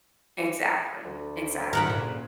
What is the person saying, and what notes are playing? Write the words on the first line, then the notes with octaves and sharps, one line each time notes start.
Exactly, exactly.
D2
D#3 C4 E4 A#4 F#5 B5
A#2 C#3